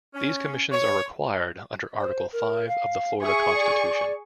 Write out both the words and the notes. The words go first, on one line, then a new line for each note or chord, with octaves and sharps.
These commissions are required under Article Five of the Florida Constitution.
C#4
C#5
C5
A#4
F5
G#4 E5 C#6
D5